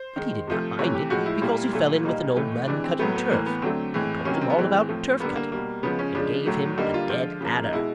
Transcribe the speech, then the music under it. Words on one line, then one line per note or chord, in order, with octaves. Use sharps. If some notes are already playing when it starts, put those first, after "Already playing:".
But he did not mind it, because he fell in with an old man cutting turf, who told him all about turf-cutting, and gave him a dead adder.
Already playing: C5
D#3 G#3
C3 F3 A3
C3 E3 A3 C#5
G4
A2 F3 G#3 F#4
E4
A#2 G3 A#3
A#2 F#3 A3
A#2 G3 A#3 D#4
A2 E3 A3
C3 E3 G#3 D4
C4
A2 F#3 A3 B3
B3
A2 E3 A3 A#3
B3
D3 F#3 A3 C4
A2 E3 G#3
C3 D#3 F#3 A#3 C#4
C4
B3
A2 E3 G#3 C4
A2 F3 A3
D3 G3 A#3 B3
A#3
B2 G3 A#3
C#3 F3 G#3 B3
C#4
C#3 F3 G#3 D4
A2 F#3 A3
D3 G3 A#3 D#4
F4
D3 F3 G#3 F4
C#3 F3 A#3
D#4
B2 G#3 E4